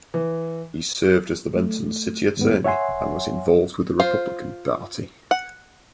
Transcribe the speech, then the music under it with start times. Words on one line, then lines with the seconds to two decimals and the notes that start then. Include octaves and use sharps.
He served as the Benton city attorney and was involved with the Republican Party.
0.14 E3
1.55 A3
2.37 D#2 G#2 B3
2.64 C#5 E5 F#5 G#5 C6
3.99 F4 C5
5.31 F#5